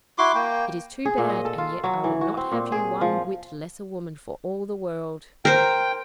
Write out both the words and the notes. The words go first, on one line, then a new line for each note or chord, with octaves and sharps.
It is too bad; and yet I would not have you one whit less a woman for all the world.
E4 F#4 C6 D6
A#3 G5
G#4
A#2
D#5
A4
F4
F#3
E3
F#4
C4
A#2
G#4
F3
A#4 C5 G5